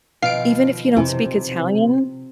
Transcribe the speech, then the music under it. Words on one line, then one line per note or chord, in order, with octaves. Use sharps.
even if you don't speak Italian
B2 D#3 F3 F5 C7 D7
F2 C3 E3